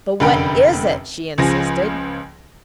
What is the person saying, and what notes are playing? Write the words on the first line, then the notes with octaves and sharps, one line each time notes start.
"But what is it?" she insisted.
F1 F#2 D3 A#4 G5 B5
C#2 C#3 F3 G#5 A#6